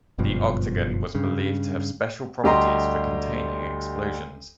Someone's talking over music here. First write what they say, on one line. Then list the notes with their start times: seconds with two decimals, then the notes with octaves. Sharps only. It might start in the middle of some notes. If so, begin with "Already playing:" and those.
The octagon was believed to have special properties for containing explosions.
0.18 F#1 G2 B2 F3
1.15 G2 C#3
2.44 D2 G3 G4 D#5 A#5 C6